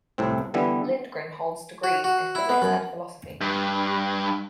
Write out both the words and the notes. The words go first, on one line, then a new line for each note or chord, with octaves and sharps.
Lindgren holds degrees in physics and philosophy.
C2 A2 C4
D3 E3 G3 B3 E4
F#4
F#4
E4
B3
F#2
G2